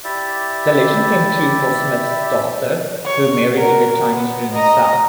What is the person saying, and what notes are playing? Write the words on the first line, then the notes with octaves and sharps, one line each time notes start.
The legend came true for Smith's daughter, who married in the Chinese Room itself.
E4 G4 D5 E5
C#5
F#4 A#4
B3
D#5 A#5